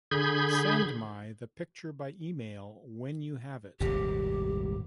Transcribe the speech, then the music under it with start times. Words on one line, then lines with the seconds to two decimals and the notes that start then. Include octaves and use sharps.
Send my the picture by email when you have it.
0.11 D3 G#4 B5 G6 G#6
3.80 D#1 G#1 C3 G4